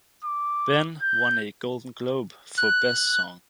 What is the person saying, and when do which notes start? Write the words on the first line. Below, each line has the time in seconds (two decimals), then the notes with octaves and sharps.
"Ben" won a Golden Globe for Best Song.
0.24 D6
1.02 G6
2.57 F#6